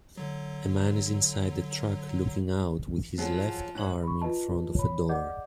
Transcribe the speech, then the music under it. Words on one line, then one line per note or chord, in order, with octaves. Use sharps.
A man is inside a truck looking out with his left arm in front of a door.
D3 F#3
F3 F#3 G#4 A4
G#2 C#5 F#7
B5 C#6
F4 B4 D#5 A5
C#5 B5
G#4 D5 D#5 F#5 D6 G6